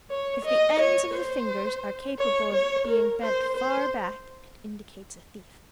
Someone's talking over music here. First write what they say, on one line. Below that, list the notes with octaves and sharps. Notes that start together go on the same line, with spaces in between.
If the ends of the fingers are capable of being bent far back, it indicates a thief.
C#5
D#5
C#5
C5
C#5
C#5
A#4
C5
C5